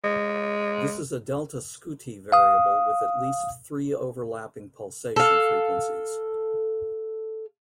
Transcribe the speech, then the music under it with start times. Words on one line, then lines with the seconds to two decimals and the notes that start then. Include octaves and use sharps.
This is a delta scuti variable with at least three overlapping pulsation frequencies.
0.04 G#3
2.32 F5 D#6
5.16 A4 F5